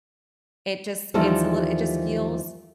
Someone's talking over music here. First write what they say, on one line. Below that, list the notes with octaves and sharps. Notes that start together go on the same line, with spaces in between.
It just it's a littl it just feels
D#2 E3 F3 G3 A#3 A4